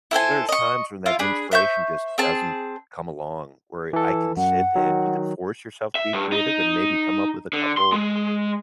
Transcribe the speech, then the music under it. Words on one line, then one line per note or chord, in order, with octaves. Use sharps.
so there's times when that inspiration just doesn't come along where I can sit and you could force yourself to be creative and maybe come up with a couple
E4 A4 C5 G#5
D#5 C#6
E4 F4 F5
D4 G#4 B5
C5 E5 C#6 G6
C4 G#4 A5
E3 A4
F#2 F#5
D#3 F#3
E5
G2
D#4
D3
C6
G#3